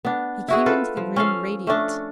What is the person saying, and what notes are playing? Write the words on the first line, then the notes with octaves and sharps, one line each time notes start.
He came into the room radiant.
B3 D4
E4 F#4 G#4
F4 A4 B4
F3
C#4 A4 F5
A3 C#4 D4